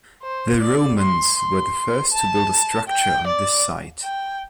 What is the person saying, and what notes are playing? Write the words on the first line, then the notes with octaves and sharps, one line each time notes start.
The Romans were the first to build a structure on this site.
C5
D5
C6
C6
A5
G5
D5
G5